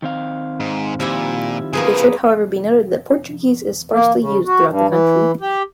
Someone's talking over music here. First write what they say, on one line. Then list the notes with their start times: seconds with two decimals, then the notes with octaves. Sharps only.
It should however be noted that Portuguese is sparsely used throughout the country.
0.02 D#3 C4 F5
0.60 G#2
1.00 A#2 F3 G3 E4
1.73 C#3 F3 A#3 B3 G#4
3.92 A#3
4.20 C#3
4.46 F#4
4.67 G2
4.88 E3
5.41 G4